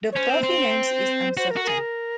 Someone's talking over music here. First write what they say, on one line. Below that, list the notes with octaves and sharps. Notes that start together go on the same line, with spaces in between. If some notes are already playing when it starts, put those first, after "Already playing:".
The provenance is uncertain.
C#5
C#4 C5
C4
C4
F#4 C5
A#4
F#4
G#4 A#4